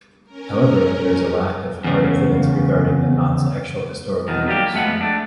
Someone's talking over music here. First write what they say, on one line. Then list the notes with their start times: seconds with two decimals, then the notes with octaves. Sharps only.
However, there is a lack of hard evidence regarding the knot's actual historical use.
0.25 C#4 A#4
1.84 E2 C#3
4.28 E2 B2 D#3
4.46 F#3 G3 A#3 G4
4.74 F2 G#3 A3 B3 F#5
5.01 A3 D4